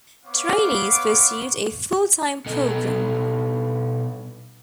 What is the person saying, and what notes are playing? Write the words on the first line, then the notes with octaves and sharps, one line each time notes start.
Trainees pursued a full-time programme.
B3 C#5 F5 C#6 D6
B2 A4 D#5